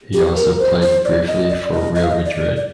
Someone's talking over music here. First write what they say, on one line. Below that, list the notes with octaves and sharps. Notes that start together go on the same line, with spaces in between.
He also played briefly for Real Madrid.
G4
A#4
C5
C5
D5
D#5
D5
D#5
D#5
F5
D#5
D5
D5